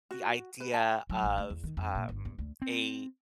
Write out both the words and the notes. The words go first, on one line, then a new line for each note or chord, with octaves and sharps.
the idea of, um, a
F#4
B4
A5
F#3
A1
A3
E2
D#3
F2
A#2
G1
E2
D2
C4